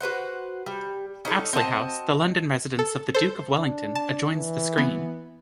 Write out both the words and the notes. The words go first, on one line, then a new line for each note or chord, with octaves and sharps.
Apsley House, the London residence of the Duke of Wellington, adjoins the screen.
F#4 B4 C5 F#5
G3
C#4 D#4 G#4 A4
C4 F#4 D#5 A5
A4
A4 C5
D4
A5
E3
B3